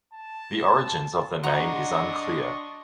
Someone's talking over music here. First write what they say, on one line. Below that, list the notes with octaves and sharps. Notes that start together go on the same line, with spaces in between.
The origins of the name is unclear.
A5
D4 F#4 D#5 A#5 C6 C#6